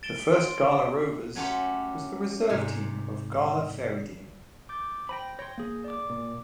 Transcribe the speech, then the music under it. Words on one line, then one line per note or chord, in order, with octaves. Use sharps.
The first Gala Rovers was the reserve team of Gala Fairydean.
A6 D7 E7 G7
C6 D7
F#3 A3 C#4 F#4 G4 C5
G#2 C3 G#5
D6 G6 A6
C5 G5 G#5 B5 A#6
C#5 G5 C6 G6 G#6 A#6
A#3 G#4
D5 D6
A#2